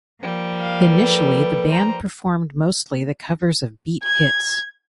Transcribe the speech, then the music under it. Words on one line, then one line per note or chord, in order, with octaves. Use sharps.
Initially the band performed mostly the covers of beat hits.
F3 G3 A#3
F5
A4 B4
C5 A#5
G#6